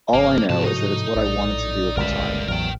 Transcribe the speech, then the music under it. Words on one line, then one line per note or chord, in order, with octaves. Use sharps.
All I know is that it's what I wanted to do at the time.
G#1 F3 A#3
F2 G#2 C3 F3 F#4 A5
A2 D#4 D#5
A#1 D5
G1 C#2 C#3 A#4 E5
A1 E2 F#3 A#4 G5